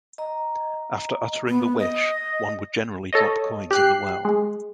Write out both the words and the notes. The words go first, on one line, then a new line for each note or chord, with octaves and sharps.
After uttering the wish, one would generally drop coins in the well.
D#5 A#5
B3
D#5
A4 C#5 D#5
G4 F#6 C7
G#3